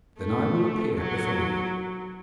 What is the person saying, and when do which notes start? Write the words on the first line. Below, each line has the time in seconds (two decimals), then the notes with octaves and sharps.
Then I will appear before you.'
0.19 A3
0.97 F#3